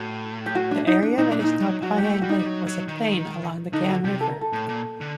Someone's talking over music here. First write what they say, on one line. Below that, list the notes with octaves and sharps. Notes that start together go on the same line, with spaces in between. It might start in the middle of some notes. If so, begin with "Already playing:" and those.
The area that is now Poyang Lake was a plain along the Gan River.
Already playing: A2 F#4
G4
F#4
D4
D#4
D4
A#2 D#4
D4
A#2 D#4
F#3
F#3 F#4
G4
A3
G4
G3 F#4
D#4
G3
F#3
F#3
D#3
D3 D#4
F#4
C3 G4
A4
A#4
A4
A2
A#2
D3